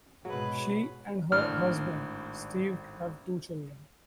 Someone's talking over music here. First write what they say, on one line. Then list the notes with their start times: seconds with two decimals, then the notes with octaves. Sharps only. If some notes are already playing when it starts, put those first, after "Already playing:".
She and her husband Steve have two children.
0.25 G#2 B2 F#3 G#4 B4
1.32 G#1 A2 D4 F6